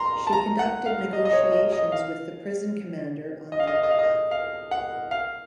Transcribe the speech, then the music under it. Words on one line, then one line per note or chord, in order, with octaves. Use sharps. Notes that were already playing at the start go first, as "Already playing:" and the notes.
She conducted negotiations with the prison commander on their behalf.
Already playing: A#5 C6
A5
A#5
F#5
F5
D#5
D#5
C#5
D#5
D#5
F5
D#5
F5
D#5
F5
D#5
F5
D#5
F5
F#5
F5